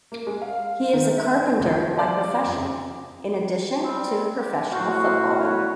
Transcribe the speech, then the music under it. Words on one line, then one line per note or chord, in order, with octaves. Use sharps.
He is a carpenter by profession, in addition to professional footballing.
A#3
G#3
F5
D#3
E5
B3
C#2
F3
D5
F2
G3 C4
G4
A2 F#4 C5 F5
G3 B4 C#5